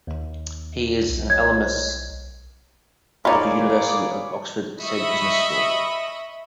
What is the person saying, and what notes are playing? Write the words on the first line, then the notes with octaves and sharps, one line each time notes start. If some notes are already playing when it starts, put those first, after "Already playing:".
He is an alumnus of University of Oxford Said Business School.
D#2
B1
C#5 D#5 G#6
A#3 D#4 F4 G#4 C#5 D5 B5 D6
D#5 E5 B5 C#6 D#6